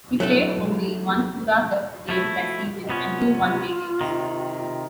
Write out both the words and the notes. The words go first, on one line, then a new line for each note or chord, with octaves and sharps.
He played only one Pura Cup game that season and two one-day games.
F#3 A3 E4 A4
F3 A3 E4 F#4
C3 B3 C#4 F4
C3 D#3
F4